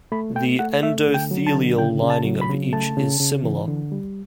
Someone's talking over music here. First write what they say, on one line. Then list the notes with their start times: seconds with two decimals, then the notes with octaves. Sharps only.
The endothelial lining of each is similar.
0.12 A3 B5
0.35 A3 G5
0.59 A3 F#5
0.83 A3 E5
1.08 D3
1.14 G5
1.31 F#3
1.47 A5
1.54 D3
1.78 C#3 G5
2.02 C#3
2.10 A5
2.25 F#3
2.41 B5
2.49 C#3
2.73 A3 A5
2.97 C#3
3.20 C#3
3.44 E3
3.68 D3
3.92 G3